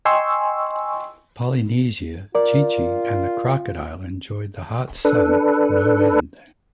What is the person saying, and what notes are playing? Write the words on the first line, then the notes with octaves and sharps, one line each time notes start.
Polynesia, Chee-Chee and the crocodile enjoyed the hot sun no end.
D#5 G5 G#5 C6 C#6 E6
F4 A#4 D5
D4 A4 B4